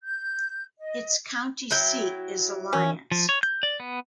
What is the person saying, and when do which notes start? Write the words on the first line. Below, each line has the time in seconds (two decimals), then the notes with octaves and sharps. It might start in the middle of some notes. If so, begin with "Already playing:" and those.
Its county seat is Alliance.
0.03 G6
0.78 D#5
1.71 F#3 E4 G5
2.73 E3 C#4 A#4 G6
3.12 F3
3.29 C#5
3.43 G6
3.63 D5
3.80 B3